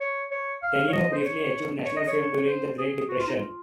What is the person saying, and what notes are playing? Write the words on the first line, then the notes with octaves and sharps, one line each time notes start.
Tenino briefly achieved national fame during the Great Depression.
C#5
C#5
F5
C#5
D#5
C5
C#5
C#5
D#5
C#5
C#5
C5
G#4
F#4
F4
D#4
F4